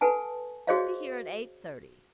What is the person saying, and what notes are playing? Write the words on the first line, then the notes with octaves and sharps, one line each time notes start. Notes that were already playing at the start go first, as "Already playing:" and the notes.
Be here at eight-thirty.
A4 B4 F#5 G#5 A5
F#4 G#4 C5 C#5 D#5 F5